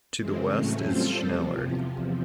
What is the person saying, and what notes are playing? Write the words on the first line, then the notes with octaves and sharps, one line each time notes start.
To the west is Schneller.
C#3 E3 G#3 C4
A2 F#3 A3 C#4
G3 C4 F4 A4 C5
E2 C3 F3